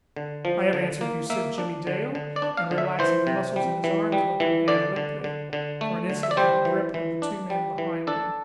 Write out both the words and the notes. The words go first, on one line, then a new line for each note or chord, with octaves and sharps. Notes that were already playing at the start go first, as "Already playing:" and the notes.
"I have answered you," said Jimmie Dale--and, relaxing the muscles in his arms, let them hang limply for an instant in the grip of the two men behind him.
D3
F3
D3
A#3
A#3 E5
D4
D3
D3
D5
D4
F5
D3
E5
E3 C5
C3
G3
E3
G3
E3
D3 D5
D3
D3
D3
A3
D3
E5
D5
G3 C5
E3
E3
D4
G3
E3
D4 A4